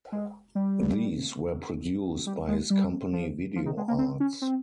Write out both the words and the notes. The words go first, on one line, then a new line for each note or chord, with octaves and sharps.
These were produced by his company Video Arts.
G#3
G3
G3
G#3
G3
F3
F3
D#3
G#3
A#3
C4
C#4
C4